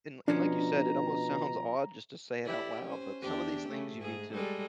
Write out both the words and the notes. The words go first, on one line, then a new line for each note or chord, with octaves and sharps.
And and like you said, it almost sounds odd just to say it out loud, but some of these things you need to
B2 F3 C#4 D4 A#5
E4 G4 D5
C#4 C5
E2 D4 G4
C#3 A3
G#2 G#4
G3 G#3 A4